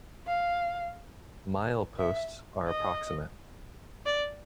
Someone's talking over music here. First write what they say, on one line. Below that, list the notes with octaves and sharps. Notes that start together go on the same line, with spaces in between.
Mileposts are approximate.
F5
E5
D#5
D5